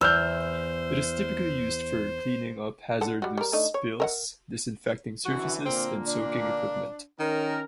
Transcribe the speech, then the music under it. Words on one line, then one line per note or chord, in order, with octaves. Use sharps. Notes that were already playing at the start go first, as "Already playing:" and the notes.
It is typically used for cleaning up hazardous spills, disinfecting surfaces and soaking equipment.
E2 C5 E6 F6 G6
D3 F#5 A5
G3 F#4
G3 A#4
A3 D4 D#4
C#5
A#4 E5 F#5
F#2 D3 E3 F#4
A#2 D3 A#3 C4
D4
D#3 C#4 A#4